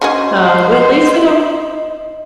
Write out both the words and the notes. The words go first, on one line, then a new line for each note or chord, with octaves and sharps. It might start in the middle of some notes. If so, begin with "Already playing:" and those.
Oh, at least we don't
C#3 F#4 G#4 C5 D#5